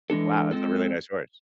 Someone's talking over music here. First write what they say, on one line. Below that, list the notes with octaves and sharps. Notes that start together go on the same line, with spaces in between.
"Wow, that's a really nice horse."
E3 G#3 D4 A4
G#3 C4 F4 A4